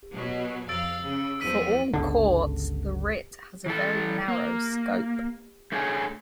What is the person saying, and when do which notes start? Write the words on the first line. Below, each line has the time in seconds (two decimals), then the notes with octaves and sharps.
For all courts, the writ has a very narrow scope.
0.14 B2 F#3
0.69 F2 F5 E6 A6 D7
1.01 C#3
1.40 E2 F3 E6 B6 D#7
1.94 G1 C#2 D3
3.66 E3 E4 A4
4.28 A#3
5.72 A3 D4 G#4 C#5 F#5 G#5